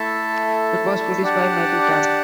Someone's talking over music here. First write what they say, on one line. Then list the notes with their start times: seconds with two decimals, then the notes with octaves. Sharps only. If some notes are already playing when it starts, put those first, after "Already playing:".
It was produced by Michael Kapp.
Already playing: A3 E4 A4 E5 A5
1.22 D4 G4 D5 F#5 A5